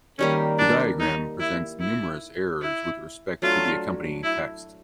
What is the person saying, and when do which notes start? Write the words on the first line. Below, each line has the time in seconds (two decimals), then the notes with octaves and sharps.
The diagram presents numerous errors with respect to the accompanying text.
0.19 D#3 G3 A#3 C#4
0.58 D4
1.00 D#4
1.39 E4
1.80 E4
2.62 E4
3.42 F#3 A3 D4 F4
4.23 E4